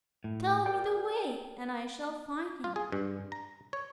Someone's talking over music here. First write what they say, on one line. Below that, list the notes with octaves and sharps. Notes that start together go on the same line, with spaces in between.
"Tell me the way, and I shall find him!"
A2
A#4 D5 G5
F4
G#4
G2
A#5
C#5